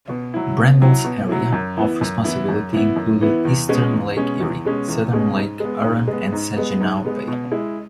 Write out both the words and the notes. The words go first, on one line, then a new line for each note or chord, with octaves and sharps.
"Bramble's" area of responsibility included eastern Lake Erie, southern Lake Huron and Saginaw Bay.
B2
F#3 E4
B2
F#3 E4
B2
F#3 E4
F#2
E3 B3 E4
F#2
E3 B3 E4
F#2
E3 B3 E4
F#2
E3 B3 E4
E2
B2 G#3 C#4
E2
B2 G#3 C#4
E2
B2 G#3 C#4
E2
B2 G#3 C#4
G#2
G#3 B3
G#2
G#3
B3
G#2
G#3 B3
G#2
G#3 B3
B2
G#3 E4